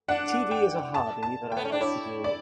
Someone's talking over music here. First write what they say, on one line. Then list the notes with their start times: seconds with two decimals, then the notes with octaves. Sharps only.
TV is a hobby that I like to do.
0.08 D4 F#5
0.51 G5
0.94 A5
1.23 A5
1.52 B3 G5
1.65 C#4
1.72 D4
1.81 E4 C#5
2.24 D5